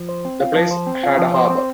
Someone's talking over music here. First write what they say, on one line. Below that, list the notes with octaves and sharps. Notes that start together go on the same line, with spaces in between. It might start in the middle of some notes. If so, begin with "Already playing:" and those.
The place had a harbour.
Already playing: F3
C5
C4
F4
F3
C5
C4
F4
F3
C5
C4